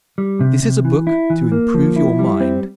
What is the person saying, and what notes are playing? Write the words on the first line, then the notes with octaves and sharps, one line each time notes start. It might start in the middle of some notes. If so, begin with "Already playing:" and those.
This is a book to improve your mind.
G3
C3
C3
E3
E4
E3
A#3
F3
E4
G3
C4